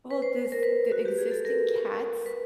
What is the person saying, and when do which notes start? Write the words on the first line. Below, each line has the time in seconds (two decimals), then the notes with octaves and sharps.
Well, does the existing cats,
0.11 B4
0.22 C5
0.52 A#4
0.63 B4
0.92 F#4
1.05 G4
1.18 G#4
1.31 A4
1.45 A#4
2.26 B4